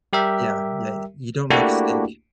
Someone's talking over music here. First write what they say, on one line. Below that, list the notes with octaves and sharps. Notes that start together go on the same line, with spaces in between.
Yeah, yeah, you don't make steak.
G3 G4 A#4 E5
A3 A#3 D4 E4 F#4 G4